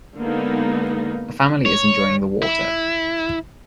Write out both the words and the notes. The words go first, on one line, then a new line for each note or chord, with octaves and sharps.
A family is enjoying the water.
D3 G#3 A#3 B3 D#4
C#5
E4